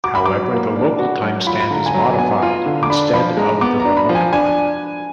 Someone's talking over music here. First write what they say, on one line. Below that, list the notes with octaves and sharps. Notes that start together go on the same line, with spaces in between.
However, the local timestamp is modified instead of the remote one.
F#4 D6
B5
F#3 D6
A#3
D4
F#4
F#3
F4 B5
B5
D3 A#5
G#5
F#3 A#5
B3 G#5
F4
D3
D6
D4 B5
F3 B5
G#3 A#5
B3 D6
A#5
D4
B5
F3
G#5
D4 G#5